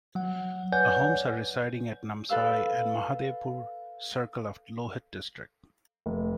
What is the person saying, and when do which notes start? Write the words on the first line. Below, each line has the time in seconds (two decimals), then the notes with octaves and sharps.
Ahoms are residing at Namsai and Mahadevpur circle of Lohit district.
0.15 F#3 F#5
0.72 B4 C#5 D5 F#5 G#5 G6
2.29 A4 B4 F5 E6
6.06 F1